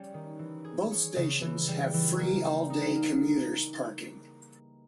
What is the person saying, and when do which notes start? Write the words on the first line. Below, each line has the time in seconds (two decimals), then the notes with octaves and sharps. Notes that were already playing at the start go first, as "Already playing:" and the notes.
Both stations have free all-day commuters parking.
Already playing: G3 C#4
0.14 D#3
0.39 E3
0.65 G#4
0.91 C#4
1.16 C#3
1.42 E3
1.68 G3
1.94 E3
2.19 A#3
2.45 G3
2.70 D#4
2.96 A#3